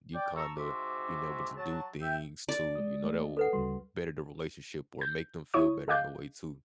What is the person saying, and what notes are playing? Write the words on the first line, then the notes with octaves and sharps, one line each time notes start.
you kinda being able to do things to, you know, that will better the relationship or make them feel better in a way too.
D5 G5
A5 A#5 C#6 E6
G#2 C3 F#4 C5 E5 D6
F#3 A5
E5 G5
D5
G#3 D#6
A3 A#3
D#5
A4 B4 F#5
D2 C#3 G3 F#4
G6
E4 C#5 C#6 D#6
G#4 D#5 F5 D6 F#6 G6